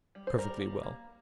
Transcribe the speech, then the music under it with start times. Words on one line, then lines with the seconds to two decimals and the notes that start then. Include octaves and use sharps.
"Perfectly well."
0.15 G3
0.27 C5
0.38 G3 A#4
0.61 G3
0.83 A#3